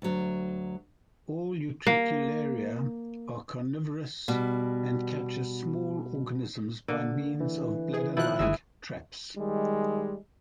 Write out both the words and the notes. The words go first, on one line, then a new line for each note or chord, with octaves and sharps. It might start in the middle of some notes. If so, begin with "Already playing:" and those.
All "Utricularia" are carnivorous and capture small organisms by means of bladder-like traps.
D2 F#3
A#3
B2 G3
D3 A#3
E3
G#4
B2 D#3 F3 E4 F#6
G1 D#3 E3 G#3 A3 G#4 E5
D#3 G3 G#3